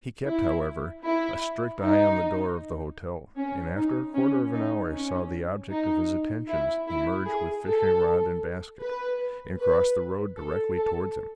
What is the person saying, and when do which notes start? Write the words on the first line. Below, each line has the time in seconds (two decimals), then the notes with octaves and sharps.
He kept, however, a strict eye on the door of the hotel, and after a quarter of an hour saw the object of his attentions emerge with fishing-rod and basket, and cross the road directly towards him.
0.25 E4
1.04 E4
1.81 D#4
3.37 C#4
3.76 D#4
4.14 C#4
4.53 D#4
4.92 C#4
5.70 D#4
6.48 E4
6.87 E4
7.26 G#4
7.65 A4
8.81 B4
9.59 B4
10.37 A4
10.76 A4